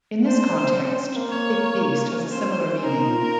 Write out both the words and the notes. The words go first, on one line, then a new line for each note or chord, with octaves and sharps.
In this context, "big beast" has a similar meaning.
C#4
C4 C5
C#4
C4
C4
A#3
C#5
D#4
C#4 C5
C#4
D#4 A#4
D#4
F4